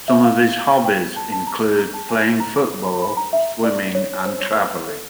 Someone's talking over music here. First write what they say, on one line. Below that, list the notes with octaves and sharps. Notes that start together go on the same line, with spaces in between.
Some of his hobbies include playing football, swimming, and traveling.
E5
F5
G5
A5
A5
A#5
A#5
A5
G#5
A#5
B5
A#5
E5
D5
C#5
C5
C#5
B4
A4